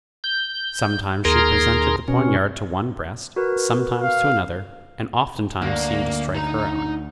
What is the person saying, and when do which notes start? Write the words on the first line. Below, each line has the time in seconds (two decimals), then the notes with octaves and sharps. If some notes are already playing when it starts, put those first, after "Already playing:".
Sometimes she presented the poniard to one breast, sometimes to another, and oftentimes seemed to strike her own.
0.24 G6
1.25 D#2 G#4 A#4 A#5 C6
2.08 B2 C#4
3.36 F#4 A#4 B4
4.02 F5
5.62 D2 A#3
6.35 D#4 A#5